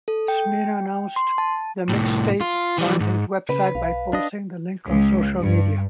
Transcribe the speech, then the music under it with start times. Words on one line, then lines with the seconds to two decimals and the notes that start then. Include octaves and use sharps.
Smino announced the mixtape on his website by posting the link on social media.
0.08 A4
0.28 G5
1.16 C6
1.38 A5
1.89 C2 A2
2.41 F4
2.78 E3 G3
3.00 G#2
3.49 C#3 B4
3.75 B1 F5
4.13 D4 D#5
4.86 C#2
5.40 G2